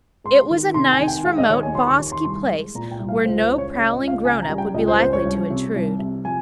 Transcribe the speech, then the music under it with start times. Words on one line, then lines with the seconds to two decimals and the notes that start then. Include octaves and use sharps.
It was a nice, remote, bosky place where no prowling grown-up would be likely to intrude.
0.24 G#3 C6
0.51 D#3
0.74 C3 C6
0.92 G#5
1.00 D#3
1.08 G5
1.25 G#3 F5
1.38 D#5
1.50 D#2 C#5
1.63 G#5
1.75 D#2 C6
1.87 C#6
1.99 D#2
2.12 C6
2.25 C2 C6
2.49 G#3
2.75 A#2 A#5
2.91 G5
3.00 C2
3.09 F5
3.25 C#2 C5
3.42 C5
3.50 C#3
3.58 C#5
3.75 C#3 C#5
3.91 D#5
4.00 C#2
4.08 F5
4.25 C#3 G#5
4.42 A#5
4.49 G3
4.58 G5
4.74 C#2 D#5
4.88 C5
4.99 C#3 C5
5.13 C#5
5.25 C2
5.50 C3
5.75 C2
5.99 C3
6.24 F3 G#5